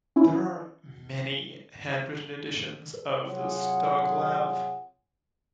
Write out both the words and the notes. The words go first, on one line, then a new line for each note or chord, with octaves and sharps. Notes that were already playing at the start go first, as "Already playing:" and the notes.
There are many hand-written editions of the "Stoglav".
C#4 E4
C3 F#3 F4 G#4 C#5 F#5